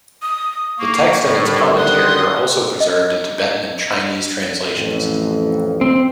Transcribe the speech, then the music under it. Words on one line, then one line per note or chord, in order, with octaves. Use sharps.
The text and its commentary are also preserved in Tibetan and Chinese translations.
D#6
A#3 C#6
A2 D3 D#3 G3
C6 D#6 F#6
D#5
A1 F2
C4